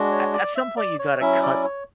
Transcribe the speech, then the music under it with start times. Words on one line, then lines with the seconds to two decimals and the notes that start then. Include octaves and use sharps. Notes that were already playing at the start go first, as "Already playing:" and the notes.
a at some point, you gotta cut
Already playing: G#3 D4 F#4
0.12 C#5
0.34 D5
0.55 E5
0.77 D5
0.99 C#5
1.20 F#3 C#4 E4 E5
1.43 D5
1.64 C#5